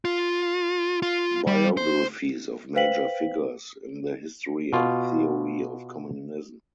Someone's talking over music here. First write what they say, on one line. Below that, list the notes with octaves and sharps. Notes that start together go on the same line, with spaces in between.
Biographies of "major figures" in the history and theory of communism.
F4
F4
G3
C5
B4 C5 F5 G5 B6 F#7
B2 F4